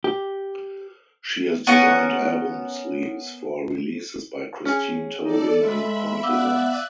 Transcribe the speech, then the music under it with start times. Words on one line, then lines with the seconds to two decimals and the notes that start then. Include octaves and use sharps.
She has designed album sleeves for releases by Christine Tobin and Partisans.
0.04 G4
1.67 B3 C#4 A#4 F#5
4.65 C#4 G#4
5.24 D#4 A4 D5
5.58 G#3 E5 B5
6.23 B3 D5 E5 F5 D6 E6 F#6